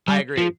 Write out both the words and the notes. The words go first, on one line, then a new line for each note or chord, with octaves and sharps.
I agree,
G3
F3